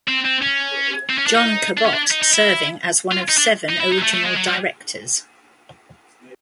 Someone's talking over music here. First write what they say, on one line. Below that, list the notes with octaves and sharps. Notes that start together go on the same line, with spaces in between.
John Cabot serving as one of seven original directors.
C4
C4
C#4
C4
C#4
D4
D#4
D4
C#4
D4
D#4
D#4
E4
F4
D#4
D4
D#4
E4
D#4
G#3
A3
A3
G#3
F#3
G3